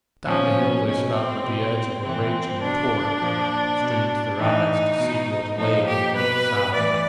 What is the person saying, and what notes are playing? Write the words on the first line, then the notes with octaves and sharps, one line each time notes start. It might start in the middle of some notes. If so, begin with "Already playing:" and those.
Down the hill they stopped at the edge of a raging torrent and strained their eyes to see what lay on the other side.
A#2 F3 C#4
B2 C#4
C4
B2
C3 E3 C4
B2 D4
A#2 F3
B2
A2 E3 D#4
B2
A#2 F3 D#4
G4
B2 B4
A2 E3 D5